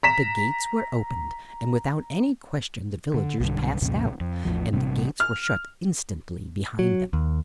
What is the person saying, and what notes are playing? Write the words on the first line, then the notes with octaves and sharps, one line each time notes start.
The gates were opened, and without any question the villagers passed out, and the gates were shut instantly behind them.
A#5 B6 E7
D3
B1 G2 D3
C2 F2 A#2 C#3
F2
A1 E2 F3
A1 G2 C3
F6
F#3
D#2